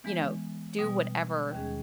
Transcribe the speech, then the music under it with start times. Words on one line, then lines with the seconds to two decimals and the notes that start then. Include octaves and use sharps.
you know, do whatever
0.04 E3 G#3 B3
0.79 B2 G3 B3
1.52 D#2 D#3 G#3 C#4 G#4